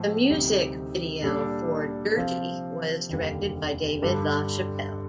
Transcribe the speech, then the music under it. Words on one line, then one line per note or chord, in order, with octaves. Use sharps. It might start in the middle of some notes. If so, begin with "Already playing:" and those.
The music video for "Dirrty" was directed by David LaChapelle.
Already playing: A2 F3 A3
D2 C3 G3 C4 D#4
A#2 G3 D4 A4
C3 F3 C4 F4
F1 D#2 D3 G3 A#3
G2 D3 G3